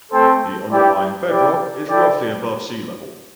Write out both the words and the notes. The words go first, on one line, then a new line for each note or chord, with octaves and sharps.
The underlying bedrock is roughly above sea level.
A3 C4 A4 C5 G5
E4 G4 D5 G5
E4 G4 D5 G5
E4 A4 D5 G5